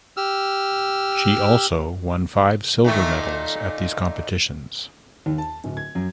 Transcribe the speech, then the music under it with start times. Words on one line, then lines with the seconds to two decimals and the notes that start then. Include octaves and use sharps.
She also won five silver medals at these competitions.
0.17 G4 E6 F6
2.84 A#2 D#3 A3
5.26 D#2
5.38 A5
5.64 D1
5.77 G#6
5.95 F#2